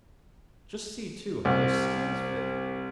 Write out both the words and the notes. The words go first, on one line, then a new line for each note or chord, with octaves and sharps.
Just see, too, how those skins fit!
C2